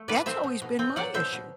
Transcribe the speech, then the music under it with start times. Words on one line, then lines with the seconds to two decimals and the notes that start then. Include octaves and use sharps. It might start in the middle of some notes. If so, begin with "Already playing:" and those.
that's always been my issue.
Already playing: A3
0.08 B2 B4 D5
0.26 C4 C5 E5
0.44 B2
0.62 B2
0.79 C4
0.96 F#3 D5 F#5
1.14 B2 C5 E5
1.32 B2